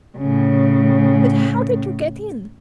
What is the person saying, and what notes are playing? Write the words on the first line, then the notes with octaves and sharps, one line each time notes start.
"But how did you get in?"
A2 C#3